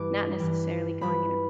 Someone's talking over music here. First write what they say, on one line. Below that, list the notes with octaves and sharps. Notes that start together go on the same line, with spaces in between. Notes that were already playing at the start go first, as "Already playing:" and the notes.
not necessarily going in a
Already playing: G2 E3 G3 D6
G2 E3 G3
G2 E3 G3 B5